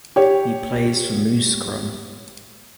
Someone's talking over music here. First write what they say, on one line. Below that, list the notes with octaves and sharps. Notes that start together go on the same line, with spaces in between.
He plays for Mouscron.
G4 C#5